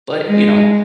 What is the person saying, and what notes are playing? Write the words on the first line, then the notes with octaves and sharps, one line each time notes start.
But, you know,
G#3